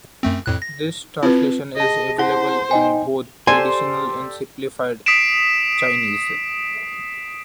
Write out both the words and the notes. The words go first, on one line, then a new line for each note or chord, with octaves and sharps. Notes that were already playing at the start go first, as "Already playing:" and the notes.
This translation is available in both traditional and simplified Chinese.
F#2 A3 C4
F2 A2 F#6
A#6
C4 E4 F4 B4
G#4 D#5 A5
E4 C5 F#5
D#4 D#5 G5 G#5
G4 A4 C5 D5 G#5 C6
D#6 B6 C7 D7 E7